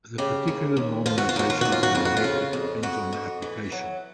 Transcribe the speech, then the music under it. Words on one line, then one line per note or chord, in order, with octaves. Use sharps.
The particular normalization on the metric depends on the application.
C#3 G4
D#2
D#2
F3 F4
F#4
F4
D#2 F#4
F4
D#2 F#4
F4
F#4
F2 F4
F#4
F4
C#3
F2
F2 F#4
F2
E3
F#3